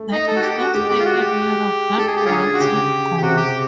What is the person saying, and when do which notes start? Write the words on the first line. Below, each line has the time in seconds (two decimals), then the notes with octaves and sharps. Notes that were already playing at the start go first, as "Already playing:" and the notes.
There is no State in Europe that wants him gone.
Already playing: A3
0.12 D#4
0.28 A4
0.36 F#4
0.42 G4
0.59 F#4
0.74 G#3 G4
0.90 G4
1.00 F4
1.06 F#4
1.21 G4
1.98 G#3 A4
2.08 G#4
2.17 G4
2.26 D3 C#4 F4 G#4
2.54 F#4
2.60 C#3 G4
3.18 G4
3.22 C3 F#4
3.37 G4